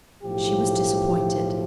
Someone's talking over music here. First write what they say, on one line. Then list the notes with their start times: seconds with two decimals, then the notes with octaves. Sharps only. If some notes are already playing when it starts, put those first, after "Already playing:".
She was disappointed.
0.24 B1 A2 F3 G4